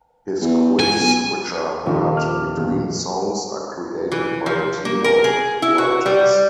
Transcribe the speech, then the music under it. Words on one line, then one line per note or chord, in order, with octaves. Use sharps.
His quips which are heard between songs are created by a team of writers.
E2
C#2 G#5
B1
D#1 C#3 F3 D#4
D6 F6
E2 A#2
E3
F3
A#3
A#4
G#4
E4
F#4
G3